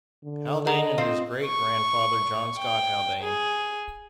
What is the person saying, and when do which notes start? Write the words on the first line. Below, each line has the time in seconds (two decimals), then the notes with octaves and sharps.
Haldane and his great-grandfather John Scott Haldane.
0.24 D3
0.67 G#4 D#5 F#5 A#5
0.98 C4 F4 C5
1.45 C#6
2.59 G5
3.24 G#4